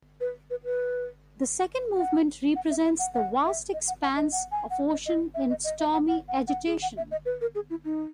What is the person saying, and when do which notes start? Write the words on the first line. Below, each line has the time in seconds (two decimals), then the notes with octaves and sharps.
The second movement represents the vast expanse of ocean in stormy agitation.
0.20 B4
0.50 B4
0.64 B4
1.96 F#5
2.56 F#5
2.70 E5
2.84 E5
2.99 F#5
3.14 F#5
3.44 E5
3.73 D#5
3.88 F#5
4.02 F#5
4.17 D#5
4.32 F#5
4.52 G#5
4.70 F#5
4.91 D#5
5.06 D#5
5.34 E5
5.50 D#5
5.64 D#5
5.79 E5
5.94 F#5
6.08 F#5
6.28 F#5
6.48 F#5
6.66 G#4
6.82 F#5
6.97 E5
7.11 D#5
7.26 B4
7.41 A#4
7.55 G#4
7.70 E4
7.85 D#4